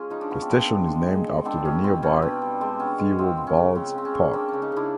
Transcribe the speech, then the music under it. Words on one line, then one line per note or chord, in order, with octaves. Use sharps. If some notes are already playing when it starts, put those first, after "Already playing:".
The station is named after the nearby Theobalds Park.
Already playing: G#3 C#4 F4 G#4
F3 D#4
D4
B3 C#4
C4 D4
B3
D#3
G#3
G#3
D#3
B3 C4 D4
B2 C#4
B2 C4
B2 C#4
B2 C4 D4
G3
G#3 C4 D4
B3 C#4
G#3 C#4
F3 C4
B3
C#4
C#3
C#3 C4
C#3 C4
C#4
A#3
A#3 C4 D4
C#4
C#3
C#4 D#4
C#3 D4 E4